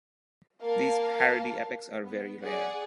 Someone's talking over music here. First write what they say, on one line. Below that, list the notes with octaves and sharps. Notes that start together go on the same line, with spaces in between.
These "parody" epics are very rare.
A#3 A#4 F5 A5
B3
G#4 D5 F#5